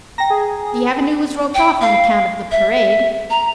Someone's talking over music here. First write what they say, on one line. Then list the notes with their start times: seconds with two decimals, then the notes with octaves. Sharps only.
The Avenue was roped off on account of the parade.
0.18 G5 A#5 A#6
0.30 G#4
1.54 G5
1.81 F5
2.51 E5
3.30 A#5